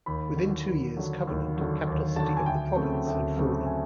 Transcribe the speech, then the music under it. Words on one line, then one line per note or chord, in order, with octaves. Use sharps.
Within two years, Covenant, capital city of The Province, had fallen.
D#2 B5
D3 F#3
D#2
D3 F#3
D#2
D3 F#3
D#2
D3 F#3 A5
G#5
D2 G5
C#3 F#3 A3 C4
D2
C#3 F#3 A3 C4
G#5